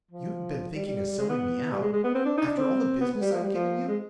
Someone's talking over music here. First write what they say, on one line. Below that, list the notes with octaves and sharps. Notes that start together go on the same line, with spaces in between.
'You haven't been thinking of selling me out--after all the business I've given you?'
F3
G3
G3
G3
G3
G#3
B3
G3
G#3
G#3
B3
C4
D4
D#4
D4
C4
B3
G3
F3
G3
F3
G#3